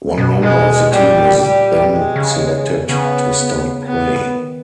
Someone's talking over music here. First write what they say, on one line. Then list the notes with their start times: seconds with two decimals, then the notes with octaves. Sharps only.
One member of the team is then selected to start play.
0.18 B2
0.43 B2 G#3
0.92 A#2 G3
1.41 G3
1.91 B2 G#3
2.16 C#3
2.89 C#3 B3
3.88 B3
4.37 D#3